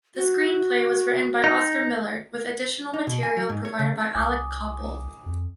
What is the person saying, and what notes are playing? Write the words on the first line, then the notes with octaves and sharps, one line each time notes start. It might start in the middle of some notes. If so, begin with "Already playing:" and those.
The screenplay was written by Oscar Millard, with additional material provided by Alec Coppel.
F#4
D#4
D#4
B2
G#5
F#3
G#2
C#5
C#3
C2 G#5 D6 D#6
F2